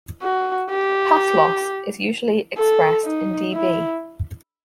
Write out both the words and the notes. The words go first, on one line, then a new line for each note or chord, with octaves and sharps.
Path loss is usually expressed in dB.
F#4
G4
A4
D#4
E4